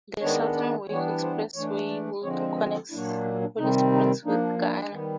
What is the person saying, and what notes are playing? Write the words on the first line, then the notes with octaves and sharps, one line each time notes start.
The Southern Wake Expressway would connect Holly Springs with Garner.
D#3 G#3 B3 D4 C#5
D5
E3 G3 B3 D4 C#5
C5
E3 A3 D4 C#5
D5
D3 F3 G#3 C4 C#5
C5
B4
A4
A#2 F#3 A#3 D4 E4
E4
D#4
D4
C3 D#3 G3 C4 D#4
D#4
F3 A#3 D4 D#4
D4
D#3 G3 B3